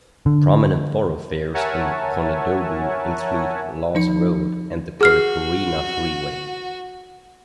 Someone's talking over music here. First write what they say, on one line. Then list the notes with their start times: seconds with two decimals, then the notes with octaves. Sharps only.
Prominent thoroughfares in Konedobu include Lawes Road and the Poreporena Freeway.
0.26 D3
1.54 A#4 C#5 E5 F#5 G#5 A5
3.95 F3 D#4 C#7
5.01 F#4 G#4 F6 C7